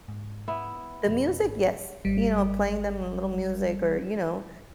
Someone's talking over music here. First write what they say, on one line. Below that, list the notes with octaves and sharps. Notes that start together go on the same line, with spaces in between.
The music, yes, you know playing them a little music or you know,
G#2
B3 E4
F2 B2 F3
G#1
G#1 G3